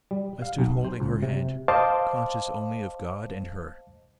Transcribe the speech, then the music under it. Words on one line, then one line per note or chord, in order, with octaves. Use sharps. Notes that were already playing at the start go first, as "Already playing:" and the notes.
I stood holding her hand, conscious only of God and her.
G3
F5
B1
C5
C#2
C3
C5 D#5 F5 A5 D6